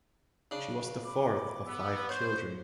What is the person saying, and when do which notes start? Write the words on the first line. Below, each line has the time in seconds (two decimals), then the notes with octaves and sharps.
She was the fourth of five children.
0.51 C#3 D4
1.04 B5 D6
1.66 B3 E6
2.09 C5 C#5 G6